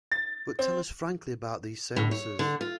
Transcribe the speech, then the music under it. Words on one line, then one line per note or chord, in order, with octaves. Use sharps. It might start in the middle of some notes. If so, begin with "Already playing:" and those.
But tell us frankly about these seances.
A6
C4
A2
C#5
D3
F4